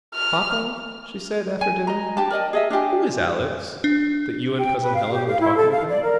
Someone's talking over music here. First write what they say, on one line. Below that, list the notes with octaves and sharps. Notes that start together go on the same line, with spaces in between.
"Papa," she said, after dinner, "who is Alex, that you and Cousin Helen were talking about?"
F6
G#5
D#5 A#5
D4 G4 A5
A#4 D5 D#5 A5
G#4 D#5 E5
D4 F4 G4 G#5
D4
G5
B4
F5
G4
F5
E4
A4
F5
D5
A#4